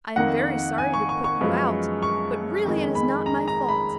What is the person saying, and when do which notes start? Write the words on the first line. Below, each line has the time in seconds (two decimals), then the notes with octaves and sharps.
I am very sorry to put you out, but really it is not my fault.
0.16 F2 D#3 A#3 F#5
0.78 G#5
0.94 C#6
1.09 C#6
1.24 C#6
1.41 F#2 F3 G#3 B3
2.03 C#6
2.65 F2 D#3 G#3
2.95 B5
3.26 A#5
3.48 A#5
3.69 B5